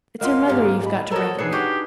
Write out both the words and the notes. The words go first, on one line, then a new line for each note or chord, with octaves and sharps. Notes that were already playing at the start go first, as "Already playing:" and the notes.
It's her mother you've got to reckon with.
A#2 A#3 D#5 F5 F#5 C6
D#2 G#2 C#4 G4
D#5 B5
F#4 A4 A#4 C5 C#5 D#6
B2 D4 D#4 G#4 B4 C7 C#7
F#4 G4